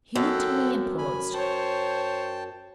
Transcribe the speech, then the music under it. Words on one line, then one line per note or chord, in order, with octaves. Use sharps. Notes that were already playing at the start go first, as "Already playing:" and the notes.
He looked at me and paused.
F#2 A4 F#5 G5
G#5 B5
C5 C#5 G5 A5